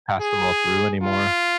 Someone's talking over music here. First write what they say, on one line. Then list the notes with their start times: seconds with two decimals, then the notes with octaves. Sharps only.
pass them all through anymore.
0.21 G#4
1.02 F4